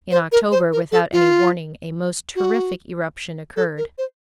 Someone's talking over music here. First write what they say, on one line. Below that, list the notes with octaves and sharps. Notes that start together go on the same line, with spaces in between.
In October, without any warning, a most terrific eruption occurred.
C5
A#4
C5
A#4
A4
F4
F#4
A4
A#4
C5